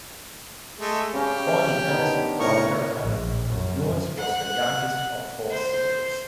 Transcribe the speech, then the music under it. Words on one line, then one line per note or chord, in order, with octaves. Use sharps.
Born in Patterson, North Carolina, Younce was the youngest of four siblings.
G#3 A3
C#3 C#4 G4
D#3 B3 D4
A2 A#4 C#5 C#6
A#1
F#2
F#5
C5